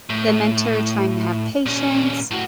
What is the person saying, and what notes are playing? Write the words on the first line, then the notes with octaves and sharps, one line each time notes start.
the mentor trying to have patience,
A2
A#2 C#4
A2 F#4